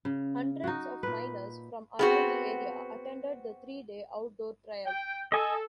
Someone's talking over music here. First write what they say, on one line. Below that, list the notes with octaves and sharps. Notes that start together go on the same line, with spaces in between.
Hundreds of miners from around the area attended the three-day outdoor trial.
C#3
D#4 F#4
A#2 B4
B3 C4 F#4 G#4
G5
A4 D#5 G#5